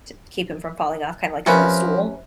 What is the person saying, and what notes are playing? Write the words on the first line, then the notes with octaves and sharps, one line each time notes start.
to keep him from falling off, kind of like a little stool,
C3 F3 C#4 A#4 B4